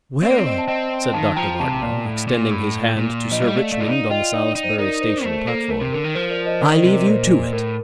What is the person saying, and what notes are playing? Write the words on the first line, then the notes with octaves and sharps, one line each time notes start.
"Well," said Dr. Martineau, extending his hand to Sir Richmond on the Salisbury station platform, "I leave you to it."
C4 D5 F5
A#3
C4
C5 D#5
A5
C4 D#5 G5
D#3 F5 A5
F3 G5 A#5
C3 F5 A5
A#2 D5 F5
A2
A#2
A2
A#2
F3 D#5
G3 D5 F5
A3 D5 F5
A3 D5 F5
F4
D#4 D5 F5
F4 D#5 G5
D#4 D5 F5
D#4
C5
D#4 A#4 D5
C5
A3 C5
A#3 A4
A3 A#4
C3
D3 A#4
D#3
F3 C5
A#4 D5
C5 D#5
D#3 A#4 D5
C5 D#5
C3
A#4 D5
A#2 C5
A2 A#4